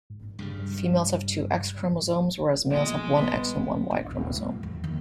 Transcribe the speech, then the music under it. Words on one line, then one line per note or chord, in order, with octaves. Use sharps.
Females have two X chromosomes, whereas males have one X and one Y chromosome.
G#2
G2 C#3 G3
A#2 F3 G#3 A3 B3
A1 G3 B3
A#1
D#1
A2 F3
F2
D#2